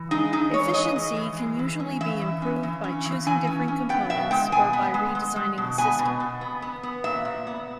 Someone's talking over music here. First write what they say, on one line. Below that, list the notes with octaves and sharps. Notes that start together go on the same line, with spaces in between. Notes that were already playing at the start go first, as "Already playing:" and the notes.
Efficiency can usually be improved by choosing different components or by redesigning the system.
Already playing: E3
G#3 D#4
E3 D#4
G#3 C#5
G#3 D#5
E3
E3
G#3
E3
C#4
E3 E5
E3
C#4
E3
C#4
E3
E3 G#5
C#4
C#4
B3 G5
B2 E5
G#3 G5
B2 G#5
B3
G#3
G#3
G#3
B2
B3 G#5
B2
B2
B3
B3
B3
A#2 E5
A#2
B3